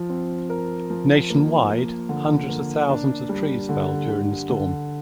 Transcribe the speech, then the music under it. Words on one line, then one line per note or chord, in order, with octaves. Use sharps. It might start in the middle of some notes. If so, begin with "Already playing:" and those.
Nationwide, hundreds of thousands of trees fell during the storm.
Already playing: F3
C4
A#4
F3
A#3
A#3
D3
A#3
D4
G3
D3
D3
D3